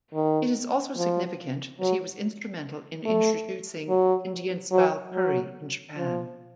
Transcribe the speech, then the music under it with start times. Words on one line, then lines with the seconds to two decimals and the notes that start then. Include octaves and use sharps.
It is also significant that he was instrumental in introducing Indian-style curry in Japan.
0.14 D#3
0.97 F3
1.80 F#3
3.05 A3
3.89 F#3
4.72 F#3
5.14 F#3
5.97 F3